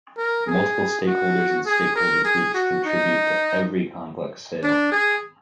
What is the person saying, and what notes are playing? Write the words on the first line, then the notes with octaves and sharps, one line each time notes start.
Multiple stakeholders and stakeholder groups contribute to every complex sale.
A#4
G#4
F#4
G#4
A#4
G#4
F#4
D#4
D4
G#4